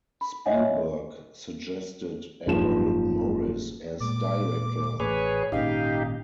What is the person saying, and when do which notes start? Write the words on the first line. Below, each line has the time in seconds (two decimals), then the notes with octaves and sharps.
Spielberg suggested Errol Morris as director.
0.21 B5
0.45 C#5 D#5 E5 F#5 G#5
2.46 F#1 G#2 F3 E7
4.00 A#2 G#3 D6
5.00 A1 A2 G#4 B4 C#5
5.52 G#1 A#2 C#4 D#4 G4 F5